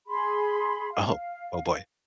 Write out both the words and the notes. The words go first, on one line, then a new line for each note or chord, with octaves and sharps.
Oh, oh, boy.
G#4 B5 C6
F5